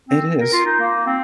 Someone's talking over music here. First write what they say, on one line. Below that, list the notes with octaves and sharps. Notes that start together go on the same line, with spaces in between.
It is.
C4
A#4
F4
D#4
A#3
C4